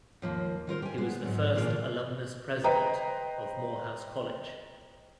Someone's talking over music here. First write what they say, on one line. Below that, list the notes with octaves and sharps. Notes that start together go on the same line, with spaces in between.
He was the first alumnus president of Morehouse College.
D#2 F3 A#3
D#3 F4 A#4 C5
G4 G#5
G#3 B3
G#2 F#3
A#2 E3 A3 A#3 F4 G#4
B4 C5 D#5 G5 A#5